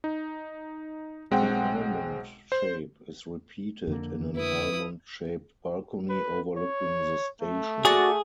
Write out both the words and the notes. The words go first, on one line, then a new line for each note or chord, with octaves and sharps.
The almond shape is repeated in an almond shaped balcony overlooking the station.
D#4
B1 G#3 C4 F#5 G5
C5
F2 D3 A#3
E4 B4 D#6
B4
C#5
A3
D4 F#4 G#4 A5